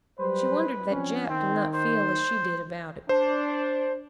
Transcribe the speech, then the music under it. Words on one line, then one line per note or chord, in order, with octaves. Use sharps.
She wondered that Jap did not feel as she did about it.
F#3 G3 B4 C5
F3 C4 C#4
D#3 C4
C5
D4 C5